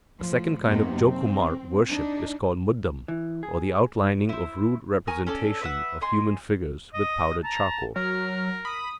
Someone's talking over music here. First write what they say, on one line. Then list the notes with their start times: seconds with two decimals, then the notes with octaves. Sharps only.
A second kind of Jokumara worship is called muddam, or the outlining of rude representations of human figures with powdered charcoal.
0.18 A2 F3
0.64 F#2 C3 A#3 B3 D#4
1.07 C4
1.88 D4 D#4
3.08 E3
3.43 G#4
4.29 E4 C5
5.07 A#4 G#5 C#6 D#6
5.27 C#4 A4 D5
5.61 B4 D#5 E5 F#5
6.01 D#5 G#5 C6
6.94 D#5 D#6
7.44 A5 A#5
7.96 F#3 A#4 F6
8.65 B5 D#6